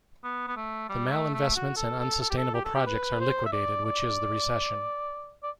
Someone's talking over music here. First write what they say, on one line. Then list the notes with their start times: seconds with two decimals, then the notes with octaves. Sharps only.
The malinvestments and unsustainable projects are liquidated, which is the recession.
0.24 B3
0.48 B3
0.56 A3
0.89 G3
1.11 A3
1.34 A3
1.56 F#4
1.77 A4
2.00 A4
2.21 A4
2.30 G4
2.37 A4
2.54 G4
2.65 A4
2.75 G4
2.86 B4
3.20 C5
3.46 E5
3.52 D5
3.85 D5
5.43 D5